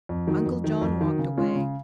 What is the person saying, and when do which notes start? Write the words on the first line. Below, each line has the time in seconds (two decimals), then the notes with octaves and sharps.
Uncle John walked away.
0.09 F2
0.27 D#3 F#3
0.46 F2
0.64 D#3 F#3
0.81 F2
1.01 D#3 F#3
1.19 C#3
1.38 G#3 C#4 F4
1.55 C#3